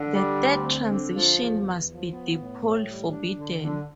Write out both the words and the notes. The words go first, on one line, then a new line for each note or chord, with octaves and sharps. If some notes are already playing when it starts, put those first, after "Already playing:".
The third transition must be dipole forbidden.
Already playing: D3
G3
D2
C4
D3
F3
E2
E2
F3
B3
A2
A2
G3
D4
D3
D3